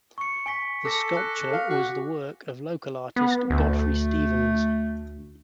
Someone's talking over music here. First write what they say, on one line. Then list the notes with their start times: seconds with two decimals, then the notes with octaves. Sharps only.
The sculpture was the work of local artist Godfrey Stephens.
0.18 C#6 C#7
0.46 G#5 C#6 B6
0.85 A4 D6 A#6 C#7
1.17 F#6
1.53 F5
1.70 F#4
3.16 B3
3.50 D2 A3